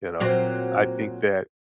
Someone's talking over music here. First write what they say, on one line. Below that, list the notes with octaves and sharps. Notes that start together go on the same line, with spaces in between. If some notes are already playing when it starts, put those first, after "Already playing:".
you know? I think that,
A#2 F#3 C4